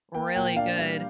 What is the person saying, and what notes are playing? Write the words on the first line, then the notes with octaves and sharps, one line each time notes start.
really good.
A#3 G5
A#2 G5
D4 F5
G3